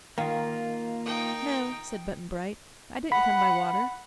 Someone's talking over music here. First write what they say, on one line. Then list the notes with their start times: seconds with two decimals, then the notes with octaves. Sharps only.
"No," said Button-Bright; "I didn't come by water."
0.18 D#3 A#3 F4 A#4 F5
1.06 D#4 G5
3.12 F#5 B5